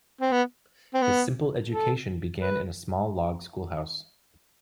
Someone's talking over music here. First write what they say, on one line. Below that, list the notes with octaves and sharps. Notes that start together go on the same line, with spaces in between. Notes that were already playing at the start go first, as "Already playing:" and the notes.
His simple education began in a small log schoolhouse.
C4
B3
C4
B3
A4
B4